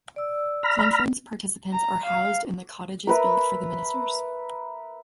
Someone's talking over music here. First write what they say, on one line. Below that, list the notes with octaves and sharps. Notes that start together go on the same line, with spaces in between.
Conference participants are housed in the cottages built for the ministers.
D5 E6
A#5 B5 F6
A#5
F5
A#4 B4 E5